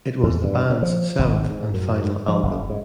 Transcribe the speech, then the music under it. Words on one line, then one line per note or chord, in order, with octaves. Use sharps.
It was the band's seventh and final album.
E2
G2
C#3
F3
G#1
G#2
F#2
F3
F#1
G#2